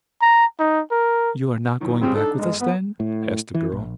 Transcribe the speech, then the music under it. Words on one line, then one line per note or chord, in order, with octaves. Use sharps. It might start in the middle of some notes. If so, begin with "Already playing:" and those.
"You are not going back with us, then?" asked the girl.
A#5
D#4
A#4
F#2 D#3 E3
C#3 G3 G#3 C4
D4 D#4 A4
G1 G#3
B3 B4
A2
E3
A#1